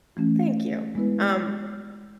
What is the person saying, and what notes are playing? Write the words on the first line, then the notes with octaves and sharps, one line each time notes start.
Mm, thank you. Um,
E3 A3 C#4
G#3 B3 E4 B4